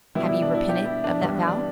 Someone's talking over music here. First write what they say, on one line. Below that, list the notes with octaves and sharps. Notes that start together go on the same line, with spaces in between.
Have you repented of that vow?
B2 G3 B3 E4
E4
D4
E4
G4
E4
D4
G2 E3 G3 B3 D4
D4